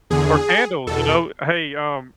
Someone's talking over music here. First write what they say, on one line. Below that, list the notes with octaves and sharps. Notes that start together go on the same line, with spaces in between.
Or candles, you know, "Uh, hey, um,
E2 D3 G#4
E2 B2 A4